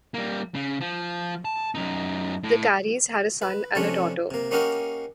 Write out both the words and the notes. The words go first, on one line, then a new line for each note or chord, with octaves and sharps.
The Careys had a son and a daughter.
G3 A#3
C#3
F3
A5
F#2 D#4
A2
B4
C3 F3 A3 C#4 D4
C3 A#3
A#3 C#4 D#4 F#4 G4 A#4